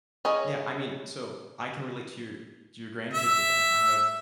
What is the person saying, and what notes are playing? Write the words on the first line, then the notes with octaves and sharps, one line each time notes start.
Yeah, I mean so I can relate to your to your grandkids with that. I have
C#4 G#4 C#5 D#5
E5